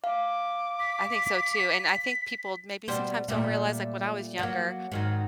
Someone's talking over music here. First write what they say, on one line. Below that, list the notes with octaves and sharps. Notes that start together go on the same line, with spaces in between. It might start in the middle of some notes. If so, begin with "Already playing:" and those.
I think so too, and I think people, maybe sometimes, don't realize like, when I was younger,
F5 D6
B6
B2 G3 C5
A#2 G3 A3
F#3 A#3
G#2 D#3 F#3